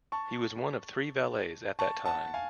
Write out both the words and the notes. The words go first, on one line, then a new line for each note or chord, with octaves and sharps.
He was one of three valets at that time.
A5 C#6
A5 C#6
F#5 A5
F5 G#5